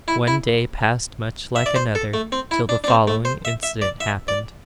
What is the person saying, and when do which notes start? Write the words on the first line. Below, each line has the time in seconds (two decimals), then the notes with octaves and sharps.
One day passed much like another till the following incident happened.
0.08 E4
0.27 E4
1.56 E5
1.66 D5
1.76 C5
1.95 A4
2.14 A3
2.32 C4
2.51 E4
2.69 D4
2.84 D4
2.88 C4
3.07 A3
3.25 C5
3.45 E5
3.63 E5
3.82 D5
4.00 E5
4.28 D5